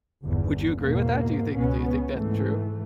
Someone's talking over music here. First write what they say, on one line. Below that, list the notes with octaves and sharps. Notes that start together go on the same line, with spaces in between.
Would you agree with that? Do you think do you think that's true?
G1 E2
E2 G#2 B2 A#3
C#2 B2 B3 C#4
G#2 E3 A3